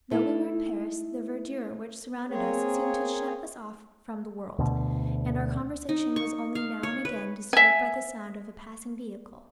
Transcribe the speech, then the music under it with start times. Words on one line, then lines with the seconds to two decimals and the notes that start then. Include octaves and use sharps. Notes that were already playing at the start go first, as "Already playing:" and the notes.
Though we were in Paris, the verdure which surrounded us seemed to shut us off from the world, and our conversation was only now and again disturbed by the sound of a passing vehicle.
0.11 A3 D#4 E4
2.30 A#3 C4 G#4 C#5
4.59 D2 B2
5.89 D#4
6.16 C#6
6.55 F5
6.83 C#5
7.05 B4
7.53 E5 G#5